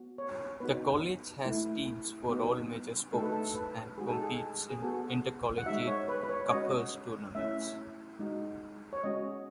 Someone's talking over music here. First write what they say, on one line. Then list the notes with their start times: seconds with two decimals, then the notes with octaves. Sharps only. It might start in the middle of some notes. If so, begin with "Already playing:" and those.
The college has teams for all major sports, and competes in inter-collegiate "cuppers" tournaments.
Already playing: B3 F#4
0.18 C#5
0.60 B3 D#4 F#4 B4
1.45 A3 E4
2.29 B3 D#4 F#4
3.13 A3 D#4 F#4 A4
3.23 B4
3.32 A4
3.55 B4
3.98 G#3 D#4 F#4 G#4
4.10 A4
4.22 G#4
4.70 G#4
4.82 B3 F#4 A4
5.58 F#5
5.66 G#3 D#4 F#4 E5
5.87 C#5
6.08 B4
6.23 B4
6.29 C#5
6.46 C#5
6.51 G#3 C#4 F#4 D#5
7.35 A3 C#4 E4 E5
8.19 G#3 D#4 F#4
8.93 C#5
9.04 G#3 C#4 F#4 D#5